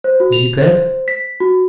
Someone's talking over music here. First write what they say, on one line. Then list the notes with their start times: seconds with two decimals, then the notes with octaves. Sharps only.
Is he dead?'
0.04 C5
0.20 F#4
0.33 F7
0.60 C5
1.08 B6
1.40 F#4